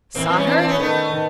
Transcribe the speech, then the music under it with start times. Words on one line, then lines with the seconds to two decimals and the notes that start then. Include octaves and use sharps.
"Saw her?"
0.15 E3 A#3 C4
0.25 A#3 C4
0.36 B3 C#4
0.47 C4 D4
0.58 C4 D4
0.68 B3 C#4
0.80 D#3 A3 B3